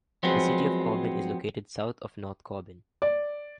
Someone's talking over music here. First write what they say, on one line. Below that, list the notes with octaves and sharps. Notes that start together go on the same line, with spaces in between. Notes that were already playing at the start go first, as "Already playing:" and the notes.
The city of Corbin is located south of North Corbin.
F3 F#3 G#3 B3 C4
D5